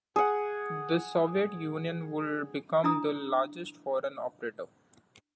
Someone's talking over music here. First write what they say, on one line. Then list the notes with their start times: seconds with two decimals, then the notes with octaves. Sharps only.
The Soviet Union would become the largest foreign operator.
0.16 G#4 F#5
2.84 D4 E4 A#5 D#6